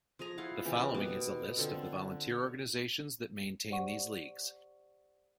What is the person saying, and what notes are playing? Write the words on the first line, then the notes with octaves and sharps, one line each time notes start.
The following is a list of the volunteer organizations that maintain these leagues.
F3 G#4 G#5 A#5
E4 F4 F5 F#5
C#3 E3 F3 G4
B2 A#3 B3 D6
D3 C4 F4 A4
C#5
G4 C5 D5 F#5 C#6